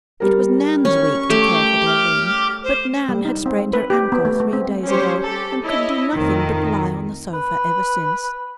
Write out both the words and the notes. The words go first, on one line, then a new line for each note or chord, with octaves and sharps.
It was Nan's week to care for their room, but Nan had sprained her ankle three days ago and could do nothing but lie on the sofa ever since.
G3 A#4
C#4 C#6
A3 G4
F6
C5
G3
D#4
C4
B4
G4
B3
A3
A3
C4
G3 C#4 G4 C5 C#5
G4 A4
E4 C#5 D#5
F2 A2 D#3
B4